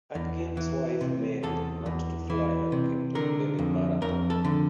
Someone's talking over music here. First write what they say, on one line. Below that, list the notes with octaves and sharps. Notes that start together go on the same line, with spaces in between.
Hudgins' wife Mary learned to fly and kept a plane in Marathon.
E2
E3
C3
E2 A4
E2
E3
C3
D3 A#4
F2
F2 A#4
A4
D3